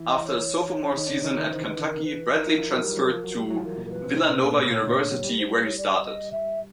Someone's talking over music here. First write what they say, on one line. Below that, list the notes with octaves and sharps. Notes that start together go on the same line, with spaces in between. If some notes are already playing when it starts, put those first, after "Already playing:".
After his sophomore season at Kentucky, Bradley transferred to Villanova University where he started.
Already playing: E3 E4
D#5
C#5
D4
D#3 D#4
D4
C#3 C#4
D#3 D#4
D#3 D#4
E3 E4 C5
B4
A#4
B4
A#4
D#4
E4
F3 F4
F#3 F#4
G3 G4
F#3 F#4
F3 F4
F#3 F#4
G3 G4
F#3 F#4
F4
E3 E4 A#4
A#2 A#3
A#4
B4
C3 C4
C3 C4 B4
B2 B3
A#2 A#3 B4
A2 A3
A#2 A#3 C#5
D3 D4
F#3 F#4
G3 G4
C5
B4
C#5
D5
D#5
E5